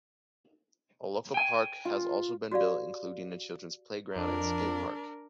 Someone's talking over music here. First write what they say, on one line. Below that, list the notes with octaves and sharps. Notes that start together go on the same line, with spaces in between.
A local park has also been built including a children's playground and skatepark.
G5 G#5
F4
F#4 G4 D5 F5
F2 D4 A#4